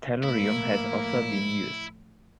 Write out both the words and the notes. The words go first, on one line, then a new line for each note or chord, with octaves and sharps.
Tellurium has also been used.
A2 F3 A#3 E4